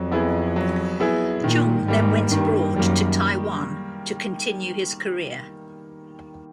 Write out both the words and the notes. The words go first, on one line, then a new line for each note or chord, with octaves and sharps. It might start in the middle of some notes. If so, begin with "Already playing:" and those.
Cheung then went abroad to Taiwan to continue his career.
Already playing: F2 F#3
B3 E4 G#4
F#3
B3 E4 G#4
A#2 D#3
G#2 G3 A#3
G2 D#3
F#2 G3 A#3